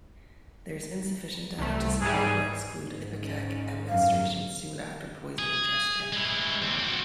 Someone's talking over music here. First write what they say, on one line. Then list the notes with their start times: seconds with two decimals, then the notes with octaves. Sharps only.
There is insufficient data to support or exclude ipecac administration soon after poison ingestion.
1.58 C2 A3
2.01 G#2 E3 G3 G#4
2.79 G#2
3.20 C#4
3.89 F#2 F5
5.39 G#4
6.13 G#3 E4
6.62 D#2 C4
6.79 C4 F#4